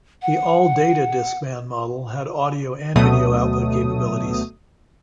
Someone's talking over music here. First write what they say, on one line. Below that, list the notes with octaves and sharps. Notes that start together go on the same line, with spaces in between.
The All Data Discman model had audio and video output capabilities.
F#5
D2 B2 F#3 A3 D#6